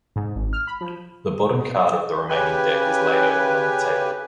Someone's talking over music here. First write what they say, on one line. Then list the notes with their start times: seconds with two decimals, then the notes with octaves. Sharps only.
The bottom card of the remaining deck is laid open on the table.
0.16 G#2
0.36 G#1
0.53 F6
0.67 B5
0.81 F3
2.29 C#3 G4 B4 G#5